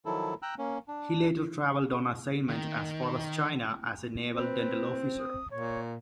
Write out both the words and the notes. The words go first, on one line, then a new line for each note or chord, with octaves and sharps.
He later traveled on assignment as far as China as a naval dental officer.
D#3 F3 F#3 E4 A4
G5 A#5 E6 F#6
A#3 C#4
D4
D#3
C4 B4
D#6
A#2 C#5